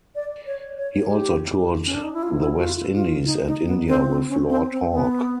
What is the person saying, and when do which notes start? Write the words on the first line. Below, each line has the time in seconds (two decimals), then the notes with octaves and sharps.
He also toured the West Indies and India with Lord Hawke.
0.15 D5
0.47 C#5
0.78 C#5
1.09 G4
1.85 C#4
1.94 D4
2.04 D#4
2.13 E4
2.23 F4
2.37 D#4
2.43 E4
2.56 F#4
2.64 F4
2.95 F4
3.26 D#4
3.47 D#4
3.67 B3
3.88 C4
4.08 C4
4.29 C#4
4.49 C4
4.71 C4
4.92 B3